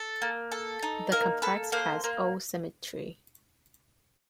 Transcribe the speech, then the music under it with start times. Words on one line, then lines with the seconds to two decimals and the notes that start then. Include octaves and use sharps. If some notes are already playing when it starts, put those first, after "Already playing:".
The complex has O symmetry.
Already playing: A4
0.22 A#3
0.52 A4
0.83 D#4
1.12 A#3 A#4
1.42 A4 B4
1.72 A#3 C5
2.04 A#3